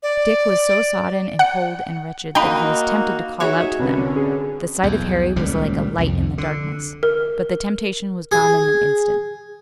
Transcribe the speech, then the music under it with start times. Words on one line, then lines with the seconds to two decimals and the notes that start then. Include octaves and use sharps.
Dick was so sodden and cold and wretched that he was tempted to call out to them--the sight of Harry was like a light in the darkness--but the temptation was gone in an instant.
0.03 D5
1.39 F#5 C#7
2.35 A#3 D#4 F#4 G5 B5
3.40 D#4 F#4 G#4 C#5 E5
3.79 C2 D3 C#4 B4
4.16 G#4
4.83 B1 E2
5.36 D#1 C#2 A#2 G3
5.98 C2 F2
6.38 D3
7.03 A#4
8.32 G#4